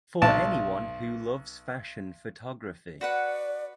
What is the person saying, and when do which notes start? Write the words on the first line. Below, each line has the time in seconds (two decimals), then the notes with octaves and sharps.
For anyone who loves fashion photography.
0.22 B1 A5
3.01 F#4 B4 D5 F#5